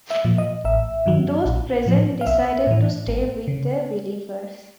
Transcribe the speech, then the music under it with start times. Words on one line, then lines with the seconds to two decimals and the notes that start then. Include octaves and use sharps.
Those present decided to stay with their believers.
0.10 E5
0.25 A#2 F3
0.38 D#5
0.65 A1 E5
1.06 G2 D#3 F#3
1.46 A#1
1.86 A2 F3
2.21 F5
2.26 B1 E5
2.67 A2 E3
3.07 G#1
3.48 C#3